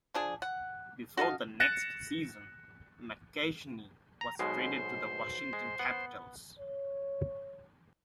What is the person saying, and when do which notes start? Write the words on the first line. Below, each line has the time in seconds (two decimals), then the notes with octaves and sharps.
Before the next season, McKechnie was traded to the Washington Capitals.
0.14 F3 D4 G#4
0.42 F#5
1.17 F#4 A4 D#5 F5
1.60 F#6 A6 A#6 C#7 E7
4.21 A#5
4.39 B1 B2 G#3 C5
5.53 G#3
5.79 B3 F#5
6.59 C#5